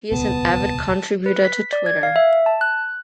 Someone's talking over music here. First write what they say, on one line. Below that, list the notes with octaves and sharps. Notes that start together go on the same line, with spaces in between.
He is an avid contributor to Twitter.
D#1 C#2 B2 B3 A5 D#6
B4
B6
D5
G#6
F5
E5
A5
F#6